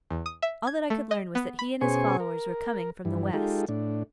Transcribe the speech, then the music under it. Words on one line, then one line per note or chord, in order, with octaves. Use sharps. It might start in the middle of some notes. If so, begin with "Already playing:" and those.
All that I could learn was that he and his followers were coming from the West.
E2
D#6
E5
G#6
A3
D#5
B3
B5
B2 C#4 G#4 C5 G#5 C#6
A#4
G2 E3
G#3 D#4 F4 G4 A4
A2 D4